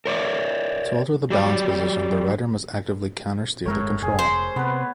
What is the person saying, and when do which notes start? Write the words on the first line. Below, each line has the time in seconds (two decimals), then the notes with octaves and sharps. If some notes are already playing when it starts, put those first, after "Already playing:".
To alter the balance position the rider must actively countersteer the control.
0.05 A#4 C#5 D5 E5
1.30 F#3 G4 D5
3.66 G1 A2 G#3 A#4 C#5
4.02 F1 G#4
4.19 C5
4.56 C3 B3 B4